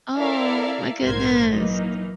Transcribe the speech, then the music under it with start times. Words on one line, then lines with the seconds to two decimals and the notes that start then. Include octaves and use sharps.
Oh my goodness.
0.16 E4 A4 A#4 D5 E5 F5
1.02 A#1 G#2 A#4 C5 C6 G#6
1.51 E3 F#3 A#3 D#4